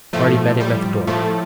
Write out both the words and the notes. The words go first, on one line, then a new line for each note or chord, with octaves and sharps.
Marty met him at the door.
A2 F3 A3
G3
A2 F3 A3